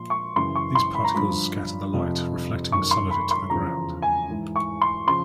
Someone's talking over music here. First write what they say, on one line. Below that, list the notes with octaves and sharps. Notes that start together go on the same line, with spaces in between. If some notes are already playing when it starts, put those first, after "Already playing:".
These particles scatter the light, reflecting some of it to the ground.
Already playing: A#2 F3 C6
C#6
F#2 C#3 E3 C6
C#6
C6
B5
A#5
G2 D3 F3 B5
F2 C3 F3
F#2 D#3 C#6
C6
B5
C6
E2 C#3 F3 A#5
G#5
G#2 E3
C#6
C6
C#3 F3 C6